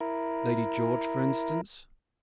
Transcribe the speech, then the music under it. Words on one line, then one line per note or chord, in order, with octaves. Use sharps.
"Lady George for instance."
E4 A#4